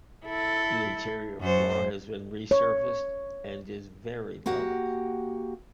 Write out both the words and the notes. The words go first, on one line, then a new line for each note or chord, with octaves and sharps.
The interior floor has been resurfaced and is very level.
E4 A4
F#2 C5
C#5
A#3 F#4 G4 F#5